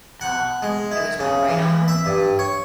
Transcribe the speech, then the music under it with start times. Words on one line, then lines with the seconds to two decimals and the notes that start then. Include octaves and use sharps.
Um, it was my right arm,
0.21 F#5
0.62 G#3
0.91 E4
1.20 C#3
1.49 E3
1.88 E5
2.06 G2
2.39 C#5